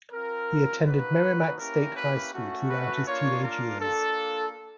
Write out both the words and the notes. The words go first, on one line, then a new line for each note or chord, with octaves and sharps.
He attended Merrimac State High School throughout his teenage years.
C4 F4 A#4
A#3 D#4 F#4 B4
A#3 C#4 E4 G4 A#4
B4
A3 C#4 F#4
B4
A#3 D4 F4 C#5
A#4
A#3 D4 F4 A4